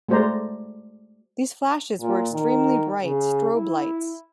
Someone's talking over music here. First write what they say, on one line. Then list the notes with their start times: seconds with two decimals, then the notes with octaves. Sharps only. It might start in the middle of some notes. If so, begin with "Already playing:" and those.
These flashes were extremely bright strobe lights.
0.09 G#3 A3 F#4 C5 D5 A#5
2.00 A#2
2.33 D#3
3.04 C#3
3.54 E4